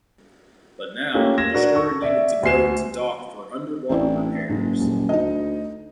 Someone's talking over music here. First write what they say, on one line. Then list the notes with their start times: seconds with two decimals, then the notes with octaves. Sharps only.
But now the destroyer needed to go into dock for underwater repairs.
1.14 A3 A#3 C#4 F4 G4
1.38 G#6 A#6 E7
1.54 D4 F#4 A#4
1.75 A4 C#6
2.02 D5 E5
2.43 D2 G#5 C7 E7
3.89 A1 C4 D4 E4
4.49 F#1 G#2
4.80 D#1
5.09 D2 D#4 D#5